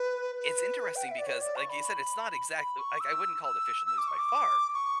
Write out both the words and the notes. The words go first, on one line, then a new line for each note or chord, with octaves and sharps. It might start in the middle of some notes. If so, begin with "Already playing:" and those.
it's interesting because like you said it's not exactly like, I wouldn't call it official news by far,
Already playing: B4
B4
G5
F#5
E5
D5
C#5
D5
C#6
B5
B5
C#6
E6
E6
E6
D6
C#6
D6
C#6